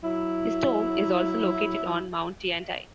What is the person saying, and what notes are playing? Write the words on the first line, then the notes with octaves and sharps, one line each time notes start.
His tomb is also located on Mount Tiantai.
F#3 E4